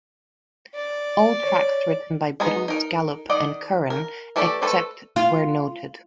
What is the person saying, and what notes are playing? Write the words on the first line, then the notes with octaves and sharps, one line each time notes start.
All tracks written by Biddles, Gallup and Curran, except where noted.
D5
C#5
G#3 B3 D#4 A#5
D#4 A#4
D#3 D5 D#5 F#5
A#4
E3 A3 G4 A4 D5
A3 A4 B4 C5 D5
F4